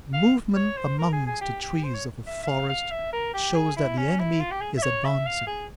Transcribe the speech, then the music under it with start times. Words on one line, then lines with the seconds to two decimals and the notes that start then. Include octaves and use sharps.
Movement amongst the trees of a forest shows that the enemy is advancing.
0.14 F5
0.56 C#5
0.77 C5
0.98 A#4
1.13 G#4
1.27 G#4
1.41 G4
1.62 G4
1.84 C5
1.94 C#5
2.27 E5
2.43 E5
2.48 F5
2.69 F5
2.91 E5
3.13 A#4
3.34 G4
3.55 G#4
3.76 E4
3.97 C#4
4.19 E4
4.40 F4
4.51 G4
4.61 G#4
4.78 E5
4.83 C#5
5.04 E5
5.26 F5
5.47 G#4